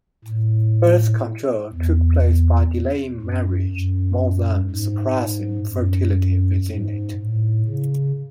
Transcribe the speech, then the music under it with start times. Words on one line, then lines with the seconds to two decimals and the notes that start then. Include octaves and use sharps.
Birth control took place by delaying marriage more than suppressing fertility within it.
0.24 A2
1.73 E2
3.22 F#2
3.71 F#2
4.70 G#2
5.70 F#2
6.68 G#2
7.18 A2
7.67 C#3